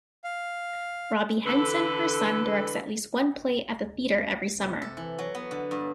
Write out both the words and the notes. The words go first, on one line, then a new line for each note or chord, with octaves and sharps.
Robby Henson, her son, directs at least one play at the theater every summer.
F5
D3 E3 A4 B4
C3
A4
E3
F#3
B3
D3
G2